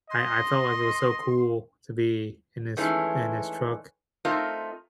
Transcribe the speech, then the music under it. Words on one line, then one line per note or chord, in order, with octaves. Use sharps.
I I felt, like, it was so cool to be in his in his truck
D#5 C6
D#3 E3 G#3 A3 C#4
A3 C4 D#4 F4 A#4